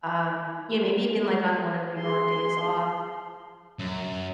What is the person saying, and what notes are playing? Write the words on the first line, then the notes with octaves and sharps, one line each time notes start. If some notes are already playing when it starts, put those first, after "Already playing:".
Um, yeah, maybe even, like, on one of your days off,
G#4 C6
F#2